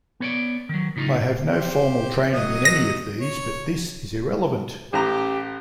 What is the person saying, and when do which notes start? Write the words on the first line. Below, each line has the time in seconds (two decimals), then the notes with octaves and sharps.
I have no formal training in any of these, but this is irrelevant.
0.20 B3 C#5 D5
0.69 D#3 F#3
0.96 A2 C#3 D#4 F4
1.51 G4 C5
2.33 F#3 D#5 D#6
2.65 A#6
3.21 C#5
4.93 A1 G4 A#5